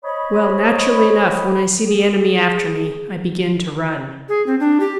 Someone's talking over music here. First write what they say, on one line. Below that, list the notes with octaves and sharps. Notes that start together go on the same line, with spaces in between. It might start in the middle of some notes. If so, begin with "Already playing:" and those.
"Well, naturally enough when I see the enemy after me I begin to run."
C5 C#5 D#5 B5
G#4
G#4
C4
D4
G4